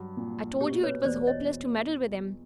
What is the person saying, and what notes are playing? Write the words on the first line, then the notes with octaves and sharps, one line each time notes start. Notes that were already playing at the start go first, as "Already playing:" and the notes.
'I told you it was hopeless to meddle with him.
Already playing: G2 F#3
A#2
B2 G4
B4 C#5
E2 C5 D5
C#5 D#5